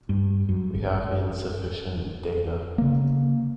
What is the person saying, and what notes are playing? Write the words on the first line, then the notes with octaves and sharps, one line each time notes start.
We have insufficient data.
G2
F#2
G#1
C#3 A#3